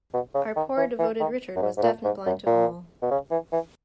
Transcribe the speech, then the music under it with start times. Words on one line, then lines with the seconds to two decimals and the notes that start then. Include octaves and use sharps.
Our poor devoted Richard was deaf and blind to all.
0.14 B2
0.35 C#3
0.56 D#3
0.77 E3
0.99 E3
1.20 D#3
1.56 F#2
1.62 G#2
1.78 G#2
1.83 A#2
2.04 G#2
2.26 F#2
2.47 A#2
3.02 B2
3.11 C#3
3.31 E3
3.52 E3